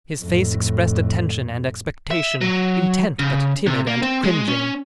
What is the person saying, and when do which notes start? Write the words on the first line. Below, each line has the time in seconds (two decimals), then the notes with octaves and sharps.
His face expressed attention and expectation, intent but timid and cringing.
0.20 F2 A2
2.11 E5
2.41 F#3
3.19 C#3
3.66 C3
3.87 A#3
4.02 C4
4.24 G#3
4.48 C#4